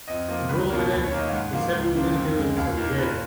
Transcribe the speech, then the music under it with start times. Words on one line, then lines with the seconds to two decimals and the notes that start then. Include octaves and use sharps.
enrolled in it, we said we were gonna do it, so we did it.
0.08 F2 D#5
0.28 F3 A#3
0.49 C#2 B4
0.70 B2 F#3 A#3 A#4
0.90 D#2 B4
1.05 C#5
1.11 D#3 A#3
1.18 D#5
1.27 F5
1.32 G#2 F#5
1.53 F3 A#3 F5
1.74 C#2
1.94 C#3 F3 A#3
2.15 F2
2.36 C#3 G#3
2.56 D#2 F5
2.78 D#3 A#3
2.98 A#2 B4